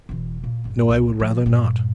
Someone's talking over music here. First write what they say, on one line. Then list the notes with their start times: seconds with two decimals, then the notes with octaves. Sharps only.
'No, I would rather not.'
0.09 E1 E3
0.44 A#2
0.65 G1
0.89 C2
1.20 F3
1.46 G2 A#2